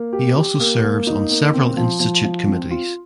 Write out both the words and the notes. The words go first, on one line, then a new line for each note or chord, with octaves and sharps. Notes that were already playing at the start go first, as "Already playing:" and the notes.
He also serves on several institute committees.
Already playing: A#3
G4
G4
A#3
A#3
D#4
A#3
C4
F3
F3
F3
C4
F4